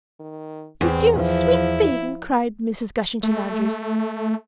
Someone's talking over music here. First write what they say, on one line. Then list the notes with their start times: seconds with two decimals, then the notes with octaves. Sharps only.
"You dear, sweet thing!" cried Mrs. Gushington-Andrews.
0.20 D#3
0.81 E2 C4
1.15 F3 E4
3.23 A3